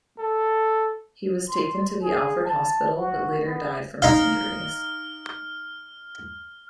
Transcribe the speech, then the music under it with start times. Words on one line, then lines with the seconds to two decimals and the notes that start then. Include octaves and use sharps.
He was taken to the Alfred Hospital but later died from his injuries.
0.19 A4
1.49 C6
2.02 G#4
2.45 A5
2.97 F#4
3.45 B3
4.02 D#4 F5 F6